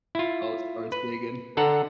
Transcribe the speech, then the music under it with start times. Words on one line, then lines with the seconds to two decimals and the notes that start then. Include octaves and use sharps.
Oh, starts digging.
0.15 E4 F4
0.92 B4
1.57 D3 A4 F#5 A#5